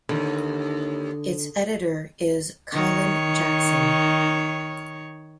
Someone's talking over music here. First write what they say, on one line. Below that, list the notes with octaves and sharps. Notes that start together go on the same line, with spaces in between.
Its editor is Kyeland Jackson.
D#2 D3
D#3 C#5